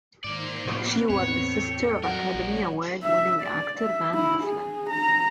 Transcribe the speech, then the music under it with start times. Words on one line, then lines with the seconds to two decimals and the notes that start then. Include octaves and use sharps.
She was the sister of Academy Award-winning actor Van Heflin.
0.24 G#2 D#3 A#3 C5 D5
0.65 A2 C3 F3 B3 C4 B4
1.10 E2 A2 C#5
1.40 C4 A4 G5
2.03 G2 F#3 A#4 F#5
2.34 A#1 C#5
3.03 E5
3.42 D5
3.80 E5
4.14 E4
4.44 G#4
4.90 A#5